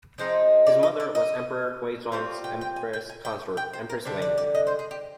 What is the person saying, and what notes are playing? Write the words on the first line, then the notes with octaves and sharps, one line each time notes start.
His mother was Emperor Huizong's empress consort, Empress Wang.
F3 G#3 C4 D#4 C5
D5
D#5
D5
D#5
G3 C4 F4 C5
G5
G5
G#5
G5
G#5
G5
G5
C5
A#4
D3 G3 D4 C5
D5
D5
D#5
C5
G#4
G4